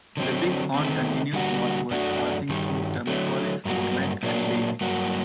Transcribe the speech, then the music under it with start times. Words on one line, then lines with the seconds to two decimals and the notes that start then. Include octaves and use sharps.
The Bighorn continues northward, passing through Thermopolis, Worland, and Basin.
0.17 D3 F#3 C4
0.74 D#3 A3 C4
1.33 D3 G3 A#3 F#4
1.91 F#2 F#3 A3 D4 F#4
2.49 G2 D#3 G3
3.07 D3 F#3 A3
3.65 G2 F#3 A#3 F#4
4.23 A#2 F#3 A#3 D4
4.81 G2 F#3 A#3 F#4